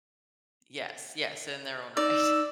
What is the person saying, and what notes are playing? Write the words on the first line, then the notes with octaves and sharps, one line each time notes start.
Yes, yes, in their own right.
D#4 D5 E6